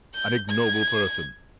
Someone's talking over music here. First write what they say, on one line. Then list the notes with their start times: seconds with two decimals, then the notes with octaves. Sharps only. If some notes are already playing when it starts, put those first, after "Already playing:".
An ignoble person!
0.15 G6
0.49 G#6